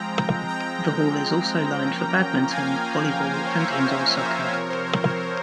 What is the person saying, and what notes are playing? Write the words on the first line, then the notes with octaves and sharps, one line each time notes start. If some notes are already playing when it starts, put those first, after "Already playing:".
The hall is also lined for badminton, volleyball and indoor soccer.
Already playing: F3 G#3 C4 G5 A#5
G5 A#5
F3 A#3 C#4
F5 G#5
C5
C#5
E5
F5
E5 G5
C5 E5
C3 F3 C4 A#4 C#5
C5
A#4
A#4
C5